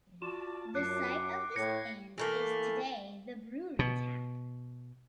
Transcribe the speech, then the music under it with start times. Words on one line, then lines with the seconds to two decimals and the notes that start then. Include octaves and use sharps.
The site of this inn is today the Brewery Tap.
0.22 F4 F#4 D5 A5
0.75 F#2 D6 F#6 C7 C#7
1.56 A2 F#6 G#6 A#6 C#7
2.18 E3 A3 A#3
3.79 B2